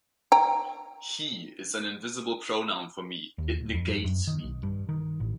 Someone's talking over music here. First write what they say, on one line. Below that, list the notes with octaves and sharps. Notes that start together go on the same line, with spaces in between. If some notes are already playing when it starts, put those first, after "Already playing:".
'He' is an invisible pronoun for me, it negates me.
G5 A#5
D#2
D1
F2
G2
F#2
D#3
B1
G2
D#3
A1